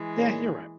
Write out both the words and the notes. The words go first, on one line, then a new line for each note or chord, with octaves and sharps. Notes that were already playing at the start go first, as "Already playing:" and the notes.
yeah, you're right.
Already playing: E3 G#3
A#2 A#3 D#4 G#4 C#5